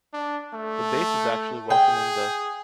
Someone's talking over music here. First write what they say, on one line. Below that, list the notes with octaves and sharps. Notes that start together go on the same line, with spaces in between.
The base is actually welcoming the.
D4
A3
G#4 G5